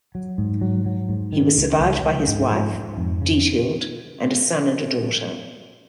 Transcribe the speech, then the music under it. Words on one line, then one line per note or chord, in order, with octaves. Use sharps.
He was survived by his wife, Diethild, and a son and a daughter.
F#3
G#2
F#3
F#3
G#2
D#3
C#2
C#2
C#2
G#2
F3
G#2
F2
C#3